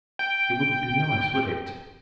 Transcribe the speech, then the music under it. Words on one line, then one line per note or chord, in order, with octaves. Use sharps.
It wouldn't be nice, would it?
G5